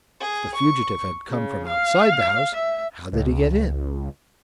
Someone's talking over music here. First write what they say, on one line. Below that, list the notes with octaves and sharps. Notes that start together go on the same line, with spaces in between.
If the fugitive had come from outside the house, how did he get in?
G#4
C#6
C#3
F5
E5
C#2